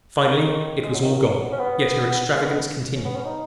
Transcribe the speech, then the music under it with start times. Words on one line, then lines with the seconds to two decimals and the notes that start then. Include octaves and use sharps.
Finally, it was all gone, yet her extravagance continued.
0.19 C#3
0.24 D#3
0.84 G#3
0.94 F#3
1.03 D#3
1.14 F#3
1.52 C#4
1.59 B3
2.34 G#3
2.44 B3
2.94 C#4
3.05 B3
3.15 C#4
3.26 D#4